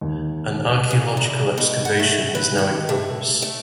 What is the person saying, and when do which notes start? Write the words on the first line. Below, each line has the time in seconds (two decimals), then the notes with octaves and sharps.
An archaeological excavation is now in progress.
0.01 D#2
0.91 G#2
1.17 E2
1.58 B2
1.85 F#5
2.00 A3
2.35 B4
2.58 D#3
2.89 A3
3.42 A3